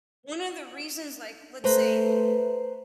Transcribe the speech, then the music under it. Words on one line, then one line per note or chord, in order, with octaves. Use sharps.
one of the reasons, like, let's say
A3 B4 C5 A#5